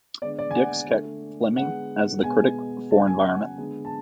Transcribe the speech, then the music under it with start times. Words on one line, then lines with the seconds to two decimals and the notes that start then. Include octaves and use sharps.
Dix kept Fleming as the critic for Environment.
0.22 D3 G#3 B3 D5
0.39 D5
0.51 G#5
0.55 F#5
0.89 D3 A3
1.56 D3 G#3 B3 F#5
2.23 B2 G#3 B3 G#5
2.91 C#3 F#3 B3 A5
3.07 G#5
3.24 F#5
3.58 D3 G#3 B3
3.85 A5